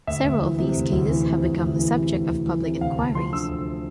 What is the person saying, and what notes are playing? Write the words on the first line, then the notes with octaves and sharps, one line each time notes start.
Several of these cases have become the subject of public inquiries.
D2 E5
D2
E3
C3
D2
D2
E3
C3
D2
D2
E3
C3
D2
D2
E3
C3
D2 F5
D2 A5
F3 C6
D3 E6
D2